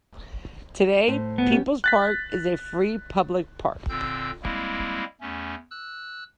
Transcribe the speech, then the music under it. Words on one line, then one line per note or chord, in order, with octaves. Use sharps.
Today, People's Park is a free public park.
A2 C5
B3
C#4 G4
F#6 A6 B6
A#2 D3 C4 E6 G6
G3 G#3 A#3 C4 E4
E2 A3 C#4
E6 F#6